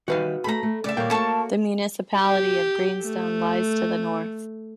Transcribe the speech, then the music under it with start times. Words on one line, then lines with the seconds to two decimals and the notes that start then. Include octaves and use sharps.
The municipality of Greenstone lies to the north.
0.08 D#3 G3 F#4 B4 E5 F5
0.44 A3 A4 A#5 B5
0.63 A3
0.84 C#3 A3 C#4 D5 E5
0.97 D#2 A#2 G3 A#3 C#5 G5
1.10 A3 F#4 A4 A5 C#6
2.17 G4
3.04 A3